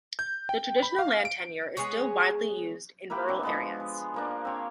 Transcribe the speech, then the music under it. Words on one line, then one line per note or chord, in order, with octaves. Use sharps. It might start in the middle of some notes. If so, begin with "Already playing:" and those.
The traditional land tenure is still widely used in rural areas.
G6
G5
B5
F5
D7
G#3 B3 G#4 C#5
A#3 E4 G4 B4
C4 D4
F3 G#3 B3
G#4
F3 A#3 D4
C4 C#5